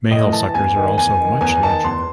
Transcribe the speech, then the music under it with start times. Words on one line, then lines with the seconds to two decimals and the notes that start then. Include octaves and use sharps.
Males suckers are also much larger.
0.11 A2 D#5
0.33 E3 A5
0.54 E2 G#5
0.76 D#3
0.97 E2 G#5
1.20 D#3
1.41 E2 G#5
1.63 D#3 A5
1.84 E2 C6